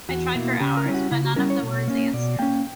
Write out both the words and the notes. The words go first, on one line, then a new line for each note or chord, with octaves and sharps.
I tried for hours, but none of the words answered.
E2 F#4
B2 A#3 E4
C#3 G4
A#4
G3 C#4 E4
F#4
C#3 E4
F#4
G3 C#4 E4 A#4
C#5
B2
A#3 C#4
B2 D5
A#3 C#4 G5